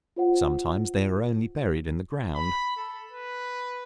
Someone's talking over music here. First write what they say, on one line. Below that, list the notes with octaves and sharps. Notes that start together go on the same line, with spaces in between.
Sometimes they are only buried in the ground.
F4 C5 F#5
B5
A4
B4